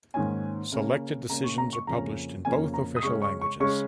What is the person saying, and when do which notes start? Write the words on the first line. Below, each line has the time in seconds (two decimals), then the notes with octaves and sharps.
Selected decisions are published in both official languages.
0.14 G#2 D#3 A#3 C#4 G#5
0.72 C#3 A#3 C#4
1.29 C#3 A#3 C#4 A#5
1.44 C#6
1.58 A#5
1.73 C#6
1.87 F2 C#3 A#3 C#4 A#5
2.45 F2 C#3 A#3 C#4 G#5
2.74 A#5
2.96 D#6
3.03 C#3 G#3 C#4 C#6
3.22 C#6
3.41 C#6
3.60 C#3 G#3 C#4 C#6